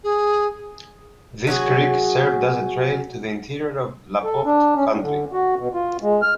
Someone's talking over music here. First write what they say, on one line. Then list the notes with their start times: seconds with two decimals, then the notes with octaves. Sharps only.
This creek served as a trail to the interior of LaPorte County.
0.03 G#4
1.47 F#3 C#4 F#4 G#4
4.24 A4
4.46 D4
4.76 C#4
4.88 A2
5.03 D3
5.33 F#4
5.59 B2
5.74 F4
6.02 G#3
6.22 F6